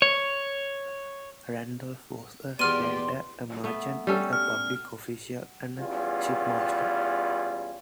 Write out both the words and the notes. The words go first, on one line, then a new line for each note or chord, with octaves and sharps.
Randolph was a planter, a merchant, a public official, and a shipmaster.
C#5
E2 B2 G4 D5 C6 F6 D#7
A3 B3
G3 C#4 A4
F6
E2 G3 C#4 F4